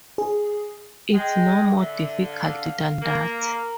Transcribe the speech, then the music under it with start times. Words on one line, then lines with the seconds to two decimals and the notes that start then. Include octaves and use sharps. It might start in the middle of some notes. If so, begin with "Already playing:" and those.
It's no more difficult than that!
0.18 G#4
1.13 G#3 G5
1.76 D3 E5
2.26 F5
3.02 A#3
3.40 A#4